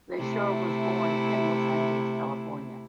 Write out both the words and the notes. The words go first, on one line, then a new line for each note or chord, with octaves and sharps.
Lesure was born in Los Angeles, California.
C3 A3 E4